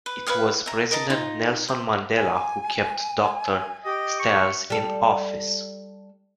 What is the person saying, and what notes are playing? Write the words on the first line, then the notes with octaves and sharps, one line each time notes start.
It was President Nelson Mandela who kept Doctor Stals in office.
B4
B4 C#5 F5 D#6
E5 A#5
A#4 D#5 A5 A#5
D#4 F4 A#5
C5
G#5
G4 D#5
C#6
G3 A4